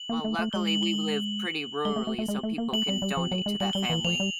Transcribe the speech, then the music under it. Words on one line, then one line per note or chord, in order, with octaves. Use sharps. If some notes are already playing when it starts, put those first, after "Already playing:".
Well, luckily we live pretty rurally, so people can donate to that family.
Already playing: F#7
A#3
A3
A3
G#3 G7
F#7
G7
G#3 G7
A3
A3
A3
G#3
A3
A#3
A3 F#7
G3
G3
F3
F#3
G#3
G3 F#7
G3 G7
E3 F#7
F3 F7
G3